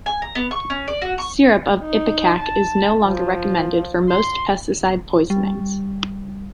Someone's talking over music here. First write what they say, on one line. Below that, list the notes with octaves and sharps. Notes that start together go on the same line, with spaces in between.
Syrup of ipecac is no longer recommended for most pesticide poisonings.
G#5
A#5
B3
C#6
C#4
D5
F#4
C#6
D#4
A5
F3
C6
G3